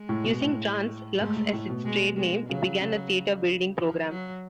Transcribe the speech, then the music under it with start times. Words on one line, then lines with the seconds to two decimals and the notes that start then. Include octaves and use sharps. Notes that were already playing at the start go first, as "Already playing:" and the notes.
Using Trans-Lux as its trade name, it began a theater-building program.
Already playing: G#3
0.09 A2
0.24 B2
0.41 A2
1.21 G#2 A3
1.36 G#2
1.53 A2
1.69 B2
1.84 B2 G#3
2.17 B2 G#3
2.49 C#3 F#3
2.80 C#3
3.77 F3
4.09 F#3